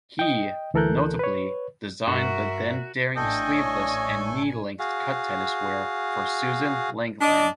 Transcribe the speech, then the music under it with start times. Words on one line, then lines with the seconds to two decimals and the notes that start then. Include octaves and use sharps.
He, notably, designed the then-daring sleeveless and knee-length cut tennis wear for Suzanne Lenglen.
0.19 D#5 G5
0.74 D2 E3 A4 A#4 F#6 G6
1.19 B4 C#5
2.08 G2 F#4 A#4 E5
3.16 A1 A3 D4 A4 D#5 G5 G#5
3.54 C#5
4.79 F#4 G#4 F5
7.21 D4 D5 D#5